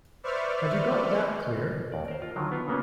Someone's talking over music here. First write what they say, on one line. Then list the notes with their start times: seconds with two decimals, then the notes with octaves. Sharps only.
Have you got that clear?
0.24 B4 C5 D5 E5 C#6 F6
1.92 D#2 D5
2.08 A#4 C5
2.22 F4
2.36 D3 D#3 F#3
2.52 B3 F4
2.68 C#3 A#3 B3 C#4